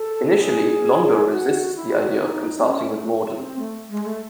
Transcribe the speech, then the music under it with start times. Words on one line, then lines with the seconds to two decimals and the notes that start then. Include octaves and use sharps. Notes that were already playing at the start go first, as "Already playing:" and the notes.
Initially, Londo resists the idea of consulting with Morden.
Already playing: A4
0.39 G#4
1.30 F#4
1.76 E4
1.99 F#4
2.21 D#4
2.59 C4
2.68 C#4
2.91 A3
3.37 C4
3.59 A3
3.89 G#3
4.05 A3